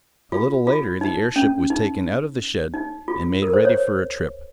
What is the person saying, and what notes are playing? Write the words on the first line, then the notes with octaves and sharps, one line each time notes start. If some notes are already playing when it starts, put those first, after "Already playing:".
A little later the airship was taken out of the shed, and made ready for a trip.
F4
F4
D#4
C#4
D#4
D#4
F4
A#4
C5
C#5